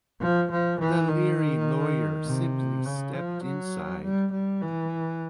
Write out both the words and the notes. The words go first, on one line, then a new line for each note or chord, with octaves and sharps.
The leery lawyer simply stepped inside.
F3
F3
E3
D#3
C3
C#3
F3
F#3
G3
G3
E3